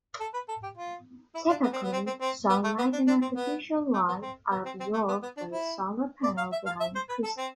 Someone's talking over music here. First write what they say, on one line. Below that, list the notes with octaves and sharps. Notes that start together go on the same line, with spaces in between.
Typically, sunlight and artificial light are absorbed by a solar panel behind the crystal.
A4
B4
A4
G4
F4
E4
D4
B3
C4
B3
C4
C4
C4
B3
A3
B3
D4
D4
C4
B3
A3
B3
C4
B3
C4
C4
A3
B3
B3
D4
E4
D5
F5
E5
F5
E5
C5
B4
A4
C4